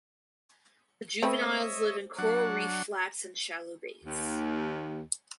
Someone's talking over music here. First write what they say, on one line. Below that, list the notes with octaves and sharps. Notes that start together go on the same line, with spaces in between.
The juveniles live in coral reef flats and shallow bays.
A3 C4 B4 C#5 D#5 E5
F#3 D4 F#5
D#2